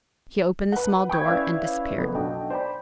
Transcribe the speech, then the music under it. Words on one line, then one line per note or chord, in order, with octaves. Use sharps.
He opened a small door and disappeared.
B4 F#5
G5 B5 C#6 D#6 G6 G#6
C#4 E4 B4 D5 E5 F5
F#1 F2 B3
B1 D4 F#4 D#5 G5
C5 D5 G5 B5